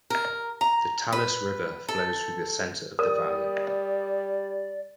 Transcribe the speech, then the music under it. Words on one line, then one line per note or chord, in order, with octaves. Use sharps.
The Talas River flows through the center of the valley.
A#4
A#5
B4
A4
G3 A#4 D5 D#6